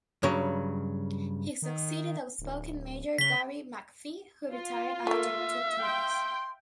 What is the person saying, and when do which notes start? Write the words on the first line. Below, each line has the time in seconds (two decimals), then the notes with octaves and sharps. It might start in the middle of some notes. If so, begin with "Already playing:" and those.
He succeeded outspoken mayor Gary McPhee who retired after two-terms.
0.23 G2 C#3 F#3
1.62 D#3
2.39 D1
3.18 C#3 B6 G7
4.52 F4
5.07 A3 A#3 E5 F5
5.82 G5 C6